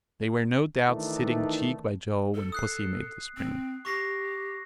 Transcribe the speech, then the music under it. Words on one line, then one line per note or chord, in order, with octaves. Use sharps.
They were no doubt sitting cheek-by-jowl when pussy made the spring.
D#3 E3 A3 D4 D#4
A4
D#6 F#6 C7
C4
G4 C#6 A#6 C7